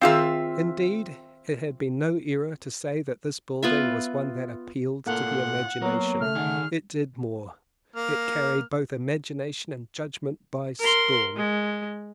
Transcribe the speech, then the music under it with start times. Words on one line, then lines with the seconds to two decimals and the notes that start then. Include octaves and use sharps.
Indeed it had been no error to say that this building was one that appealed to the imagination; it did more--it carried both imagination and judgement by storm.
0.01 D#3 C4 F4 G#4 E5 F5
3.63 B3 F4 E5
5.07 A2 A#3 F4 A4 F#5
5.82 F#3 A#3 B3
6.20 C#3 A3 F6
6.35 D3 D#3 G#4
7.96 A#3 F6
10.80 A#4 C6
11.36 G#3